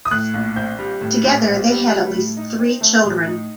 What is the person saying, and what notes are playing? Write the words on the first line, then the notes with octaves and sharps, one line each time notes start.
Together they had at least three children.
D#6
A2 F#6
A#1
C4 G6
G3
A2
A#1
C4
G3
A3
A2
D#4
C4
A3
A2
D#4